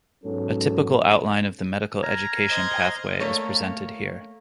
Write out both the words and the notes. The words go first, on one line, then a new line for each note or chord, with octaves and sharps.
A typical outline of the medical education pathway is presented here.
G#2 F#3 B3 C#4 A4
G#5 A#5 F6
C5 D#5 G#6
A3 A#3 C#5